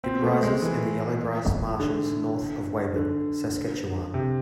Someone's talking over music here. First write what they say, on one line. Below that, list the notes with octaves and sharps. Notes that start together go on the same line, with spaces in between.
It rises in the Yellow Grass Marshes north of Weyburn, Saskatchewan.
C4
A3
G#3
E3
D3
D3
C3